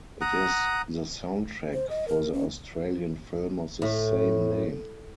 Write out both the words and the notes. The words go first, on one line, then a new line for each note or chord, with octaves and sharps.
It is the soundtrack for the Australian film of the same name.
F#5 A#5 D#6
C5
D#5
A#4
C#4
A2